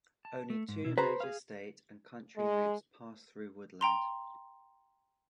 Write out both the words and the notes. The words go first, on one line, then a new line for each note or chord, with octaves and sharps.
Only two major state and county routes pass through Woodland.
A5
A3
G#2
B2 E4
F#4 G#4 B4 C5 A#5
G#4 F5
G#3
G5 A#5 C6